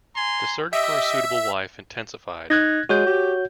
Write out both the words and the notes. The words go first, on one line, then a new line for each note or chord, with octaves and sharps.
The search for a suitable wife intensified.
G#5 A#5 C6
G4 D#5 E5
D#4 F#6 G#6 A#6
G#3 F#4 C#5 G6
G4